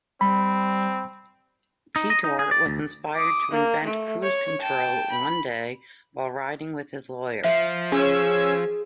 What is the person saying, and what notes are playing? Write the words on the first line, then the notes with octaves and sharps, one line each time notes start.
Teetor was inspired to invent cruise control one day while riding with his lawyer.
G3 C4 B5
D#4
D#5
D#4
G#4
D5
D2
D6 D#6
A#3
A3
C#5
G5 A5
B5
F3 E5
C#4 G#4 E6 G#6